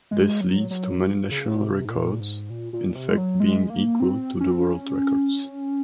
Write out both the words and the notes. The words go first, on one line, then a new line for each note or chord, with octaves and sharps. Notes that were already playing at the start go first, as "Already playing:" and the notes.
This leads to many national records in fact being equal to the world records.
G#3
F#3
F#3
C#3
A#2
C3
G#2
A#2
G#2
A#2
A#2
A#2
C3
G#3
F#3
G#3
A#3
C4
C#4
C4
C#4